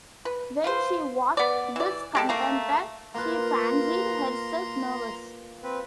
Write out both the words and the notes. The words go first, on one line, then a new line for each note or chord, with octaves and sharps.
When she was discontented, she fancied herself nervous.
B4
F4 B4 C5
B3 D5
E3 D5
G#3 G4 A4
A3 A#3 A#5
A#3 F4 B4 A#5 C6
C4 B4